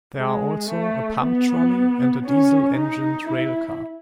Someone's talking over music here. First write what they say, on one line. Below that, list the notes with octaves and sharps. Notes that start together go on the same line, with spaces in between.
There are also a pump trolley and a diesel-engined railcar.
G#3
A3
B3
C#4
D#4
E4